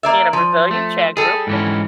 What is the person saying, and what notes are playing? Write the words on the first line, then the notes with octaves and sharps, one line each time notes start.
in a Brazilian chat group, and
A#3 D5 E5
F3
A3
G3 G#4 A4
G#2 E3 C#4